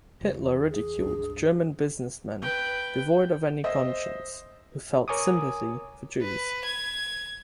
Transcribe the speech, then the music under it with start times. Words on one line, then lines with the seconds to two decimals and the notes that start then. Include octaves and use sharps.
Hitler ridiculed "German businessmen devoid of any conscience" who felt sympathy for Jews.
0.21 F1 C#3
0.38 E2
0.70 G#4
0.97 C#2 G2 D4
2.42 B4 G5
3.64 C5 D#5 E5
5.08 A#4 C#5 G#5 D6 D#6
6.22 B4
6.65 G#6